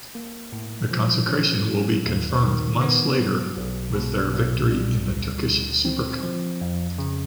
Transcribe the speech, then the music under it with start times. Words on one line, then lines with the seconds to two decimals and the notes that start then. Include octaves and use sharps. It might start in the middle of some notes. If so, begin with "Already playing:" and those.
The consecration will be confirmed months later with their victory in the Turkish Super Cup.
0.15 A#3
0.53 A2
0.91 F3
1.29 C#4
1.67 F#3
2.06 D#2
2.43 D#3
2.81 B3
3.20 F#3
3.57 B1
3.95 B2
4.34 B1
4.71 G3
5.10 D2
5.47 D3
5.85 C4
6.23 F3
6.61 F2
6.98 C#3